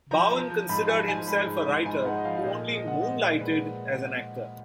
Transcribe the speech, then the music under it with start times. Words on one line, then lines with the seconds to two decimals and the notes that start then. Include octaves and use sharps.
Bowen considered himself a writer who only moonlighted as an actor.
0.11 F3 A#5
0.31 F3
0.50 F3
0.69 G#2 B5
0.88 F3 G#5
1.08 G#2 G#5
1.27 G#3 B5
1.47 G#2
1.66 G#2
1.86 G#2 G#5
2.05 G#2 F#5
2.17 D#5
2.24 F3 F5
2.36 F5
2.44 A#2 D#5
2.63 G#3
2.73 D#5
2.83 F3 F#5
3.01 G#3 D#5
3.21 A#2 D5
3.41 G#3 B4